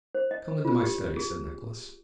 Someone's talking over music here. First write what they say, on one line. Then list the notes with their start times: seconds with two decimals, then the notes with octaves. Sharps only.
"Come into my study," said Nicholas.
0.15 C5
0.31 D#5
0.65 F4
0.83 G4
1.17 G#4